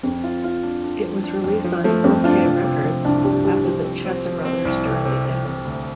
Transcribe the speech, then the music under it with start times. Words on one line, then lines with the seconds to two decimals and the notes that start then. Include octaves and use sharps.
It was released on Okeh Records, after the Chess brothers turned it down.
0.03 F2 C4
0.24 F4
0.44 F4
0.63 D4
0.84 D4
1.04 F3
1.24 D4
1.44 F2
1.64 F3
1.84 F3 A3
2.04 F2 C4
2.24 D4 F4
2.44 C3
2.64 C3
2.85 F3
3.04 C2 D4
3.24 F3 G4
3.44 C2 G4
3.65 F3
3.84 C4
4.05 C4
4.25 F3
4.45 C4
4.65 C2
4.85 C3 A4
5.05 C3
5.25 C3
5.46 C3
5.65 D2